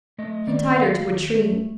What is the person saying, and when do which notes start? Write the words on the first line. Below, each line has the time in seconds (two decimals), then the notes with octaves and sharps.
He tied her to a tree.
0.18 A3 D#5
0.47 D#3 D5
0.76 D#2 F5
1.05 D#2
1.34 A3